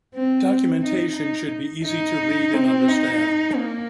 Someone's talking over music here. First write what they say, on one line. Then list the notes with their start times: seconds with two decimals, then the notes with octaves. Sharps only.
Documentation should be easy to read and understand.
0.14 C4
0.83 D#4
1.16 D#4
1.85 D#4
2.54 C4
2.88 D#4
3.56 A#3